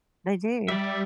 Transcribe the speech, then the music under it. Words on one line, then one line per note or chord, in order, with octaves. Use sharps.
They do.
G3 D5 E5